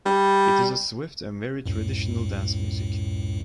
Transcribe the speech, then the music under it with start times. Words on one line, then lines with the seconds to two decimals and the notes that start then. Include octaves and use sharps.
It is a swift and very traditional dance music.
0.06 G3
1.66 C#2 F#2 A2